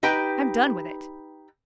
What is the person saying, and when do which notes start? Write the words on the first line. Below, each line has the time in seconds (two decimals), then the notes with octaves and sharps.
I'm done with it.
0.03 D#4 G4 B4 G5